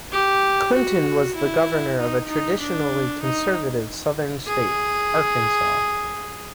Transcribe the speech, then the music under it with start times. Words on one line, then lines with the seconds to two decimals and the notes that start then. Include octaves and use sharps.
Clinton was the governor of a traditionally conservative Southern state, Arkansas.
0.12 G4
0.74 F#4
1.36 E4
1.98 D#4
2.29 D#4
2.60 D4
3.22 D#4
4.47 G#4